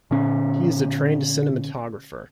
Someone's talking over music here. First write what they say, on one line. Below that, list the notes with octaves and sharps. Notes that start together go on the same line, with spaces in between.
He is a trained Cinematographer.
A#2 D3 C#4